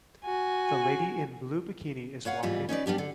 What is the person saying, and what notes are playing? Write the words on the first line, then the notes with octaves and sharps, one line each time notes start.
The lady in blue bikini is walking.
F#4 G#5
B4 C#5 F5 F#5
G#2 B2 E3 G3 F4
C#4 D#4 B4 D5
G3 B3 D4 G4
D3